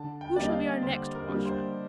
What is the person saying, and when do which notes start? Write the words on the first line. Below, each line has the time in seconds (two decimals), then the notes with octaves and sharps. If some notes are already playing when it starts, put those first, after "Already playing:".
Who shall be our next watchman?
Already playing: D3 A5
0.21 G5
0.36 G3 A#3 D4 D5
0.43 D#5
0.52 F5
0.83 D3 C5
1.15 A#4
1.29 G3 A#3 D4
1.45 C5